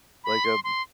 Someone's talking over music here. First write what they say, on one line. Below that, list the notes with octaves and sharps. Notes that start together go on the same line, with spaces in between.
like, um
B5
C6
C6